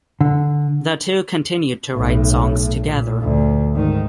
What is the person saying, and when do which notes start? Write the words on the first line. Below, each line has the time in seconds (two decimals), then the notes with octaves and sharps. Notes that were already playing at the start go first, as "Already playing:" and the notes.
The two continued to write songs together.
0.21 D3
1.93 B1 A2
2.82 A#2
3.21 D2
3.74 G#2 D#3